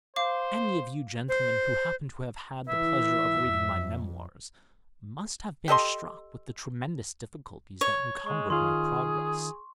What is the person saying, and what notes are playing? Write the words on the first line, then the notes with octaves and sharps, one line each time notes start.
Any of you gentlemen who happen to have had the pleasure of reading my memoirs must have been struck with the tremendous difficulties that encumbered my progress.
C5 F5 D6
C5
E3 E4 E5
F2
G4 A4 D#5 C6
C#5
G#3 C#6
D#3 F4 G#4 C6